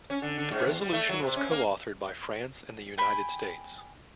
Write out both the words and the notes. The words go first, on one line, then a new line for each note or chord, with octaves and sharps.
The resolution was coauthored by France and the United States.
C#4
D3
D3
G#2
E2
G3
A3
F#3
C3
C#4
A#3
G5 G#5 B5